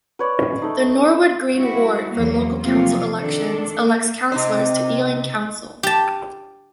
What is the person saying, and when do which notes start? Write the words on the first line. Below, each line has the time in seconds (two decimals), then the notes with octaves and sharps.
The Norwood Green ward for local council elections elects councillors to Ealing Council.
0.19 B4 C#5 D5
0.62 A3 D#4
1.52 G3 E4 F#4
2.13 E2 E3 F#3 A#3
2.61 C3 F3 F#3 A3 A#3 F4
3.18 D#3 D4 A4
3.81 A#3
4.32 C3 D#4 C5
5.83 G4 A5